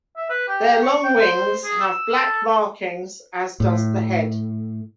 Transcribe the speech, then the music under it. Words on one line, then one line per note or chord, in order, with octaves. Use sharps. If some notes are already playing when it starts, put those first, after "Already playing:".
Their long wings have black markings, as does the head.
E5
B4
G4
C#6
G5
C5
G#4
E6
A4
A2